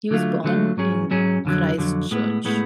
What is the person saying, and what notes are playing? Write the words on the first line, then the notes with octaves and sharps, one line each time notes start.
He was born in Christchurch.
D3 F#3 A3 F4
D3 F#3 A3 F4
G#2 F#3 C#4 G#4
G#2 F#3 C#4 G#4
F2 D3 F#3
F2 D3 F#3
A2 G#3 B3
A2 G#3 B3